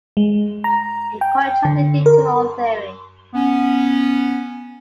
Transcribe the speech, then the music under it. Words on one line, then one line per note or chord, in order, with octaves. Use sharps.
It contradicted all theory.
G#3
A#5
G5
D3
A#4
B3 C#4